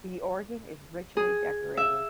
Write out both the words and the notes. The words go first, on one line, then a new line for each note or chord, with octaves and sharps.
The organ is richly decorated.
G#4
E5